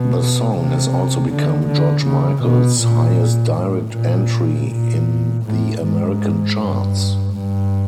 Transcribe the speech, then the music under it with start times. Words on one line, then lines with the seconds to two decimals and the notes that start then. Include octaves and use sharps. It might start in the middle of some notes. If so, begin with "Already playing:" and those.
The song has also become George Michael's highest-direct entry in the American charts.
Already playing: B2
0.54 C3
1.30 D3
1.67 D3
2.05 C#3
2.43 B2
2.81 A#2
3.56 A2
3.94 A#2
4.69 A#2
5.45 A2
5.82 G#2
6.58 G2
7.33 G2